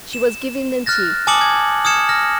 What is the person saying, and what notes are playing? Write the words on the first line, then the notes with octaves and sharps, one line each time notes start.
She was giving them tea.
E7
F6 F#6 A6 A#6
G#5 A5 D6 D#6 C#7 F#7
G#6
D#6 F6 G#6 C#7 E7
F6 A#6